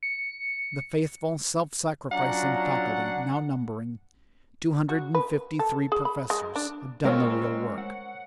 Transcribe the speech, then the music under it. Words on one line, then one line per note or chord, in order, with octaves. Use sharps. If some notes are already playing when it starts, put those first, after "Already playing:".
The faithful, self-sacrificing faculty, now numbering two hundred and fifty-three professors, have done the real work.
C#7
F#3 C#4 D4 F4 F#5 A#5
F#4
B4
A4
G#4
B5
G#3
D4
G#3 C4 C#4 F4 A#4 C5 C#5 C#6
F#5